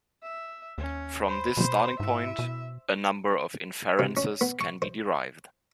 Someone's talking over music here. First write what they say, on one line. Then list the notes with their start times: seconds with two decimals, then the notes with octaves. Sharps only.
From this starting point, a number of inferences can be derived.
0.23 E5
0.78 D#2 C#4
1.27 C5 B5
1.57 B2 C5
2.00 G#2 E4 E5
2.39 B2
3.99 C3
4.17 C#4
4.41 B3
4.61 C#6
4.82 C5